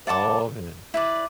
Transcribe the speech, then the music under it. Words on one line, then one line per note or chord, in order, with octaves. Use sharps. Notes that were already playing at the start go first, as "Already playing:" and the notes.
Oh, man.
D5 F#5 A5 D6
E4 B4 D5